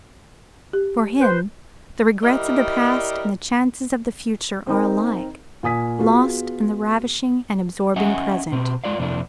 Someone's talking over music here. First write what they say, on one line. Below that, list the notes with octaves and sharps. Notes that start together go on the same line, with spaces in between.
For him, the regrets of the past and the chances of the future are alike lost in the ravishing and absorbing present.
G4
B4 C5
G3 E4 A#4 D5 D#5
C4 D#4 A#4
A#2 G#5 D#6 B6
B3 F4 F#4 G#4
C#4 D#5 E5 F#5 G#5
B2 C4
G#3 F4 D5 F5
F2 C3 A#3 D4 E4